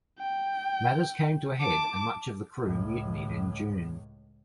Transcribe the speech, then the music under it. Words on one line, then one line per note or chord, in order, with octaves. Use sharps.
Matters came to a head and much of the crew mutinied in June.
G5
A5 D6
C#2 A2